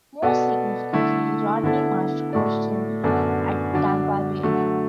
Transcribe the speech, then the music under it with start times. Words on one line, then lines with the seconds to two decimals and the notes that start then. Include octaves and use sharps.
More significantly, Rodney Marsh coached him at Tampa Bay.
0.22 B2 B3 F#4 A4 D5
0.93 D3 A3 E4 A4
1.63 D3 B3 E4 A4
2.33 A2 A3 F#4 A4 D5
3.04 F#2 D3 B3 D4 A4
3.73 D3 F#3 D4
4.43 D3 F#3 A3